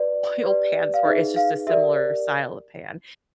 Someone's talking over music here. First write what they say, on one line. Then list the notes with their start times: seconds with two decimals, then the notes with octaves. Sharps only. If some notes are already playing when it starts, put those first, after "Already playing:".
oil pans for it's just a similar style of pan.
Already playing: F#4 B4 D5
0.43 G4 B4 D5
0.94 F5
1.05 D#4 G#4 B4 E5
1.36 F5
1.67 G4 A#4 D5 E5